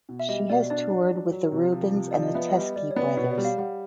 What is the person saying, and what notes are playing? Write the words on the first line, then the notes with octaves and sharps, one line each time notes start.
She has toured with the Rubens and the Teskey Brothers.
B2
E5
G3 D#5
B2 D5
D4 D5
D4
F#3
F#3
C3
F3
C3
F3 D5
D#5
B3 E5
D#5
G3
D#5
G3 D5
C#5
B3 D5
B2 C#5
D5
G3
F5
G3 F#5